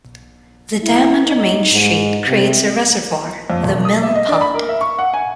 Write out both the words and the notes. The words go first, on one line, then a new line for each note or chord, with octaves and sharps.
The dam, under Main Street, creates a reservoir, the Mill Pond.
E4
D#4
G#2
C3
F2
E1
D#6
E5
D#5
D4
B5
A#4
E5
C#6
F#5
G#5